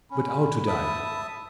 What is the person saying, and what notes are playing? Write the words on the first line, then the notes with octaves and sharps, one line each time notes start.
But how to die?
C#4 B5
E5 A5 D#6